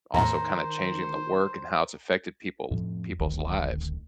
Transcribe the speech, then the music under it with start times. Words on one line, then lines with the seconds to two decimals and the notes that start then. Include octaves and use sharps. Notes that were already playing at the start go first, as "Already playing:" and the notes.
also kind of changing the work and how it's affected people people's lives
0.14 E2 A2 D#3 C5 A#5 A#6
2.71 F2 A2 F3
3.19 D1 G#1 D2 D#3